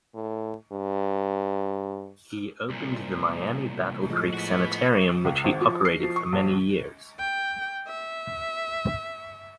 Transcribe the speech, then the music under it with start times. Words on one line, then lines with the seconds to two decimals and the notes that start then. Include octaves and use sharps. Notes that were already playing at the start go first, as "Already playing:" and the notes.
He opened the Miami Battle Creek Sanitarium which he operated for many years.
0.14 A2
0.72 G2
2.70 C2 A#2
4.10 A2 F3 G#3
4.34 B3 F#4
5.25 C#2
5.44 G#1
5.61 F3
5.85 C7
6.03 F3
6.16 C#6
6.32 A#1
7.19 G5
7.87 E5